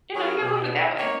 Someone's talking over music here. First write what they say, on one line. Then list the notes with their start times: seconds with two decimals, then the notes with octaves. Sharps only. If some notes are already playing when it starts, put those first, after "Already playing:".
You know, you gotta look at it that way.
0.15 F#3 C#4 E4 G#4 A#4
0.42 B2
0.99 A#3 D#4 C#5